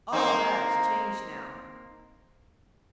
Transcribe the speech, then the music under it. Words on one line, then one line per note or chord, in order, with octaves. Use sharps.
All that is changed now.
A#3 C4 D#4